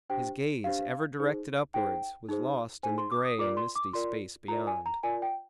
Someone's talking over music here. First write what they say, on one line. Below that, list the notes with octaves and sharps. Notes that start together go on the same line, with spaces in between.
His gaze, ever directed upwards, was lost in the grey and misty space beyond.
D4 G4 C5 G5
D4 G4 C5 F5
D#4 G#4 C5
D#4 G#4 C5 G5
D#4 G#4 C5
D#4 G#4 C5 G#5
C6
D6
D#6
F4 A#4 D5 D6
C6
D6
F4 A#4 D5 C6
F4 A#4 D5 A#5
G#5
A#5
F4 A#4 D5 G#5
G5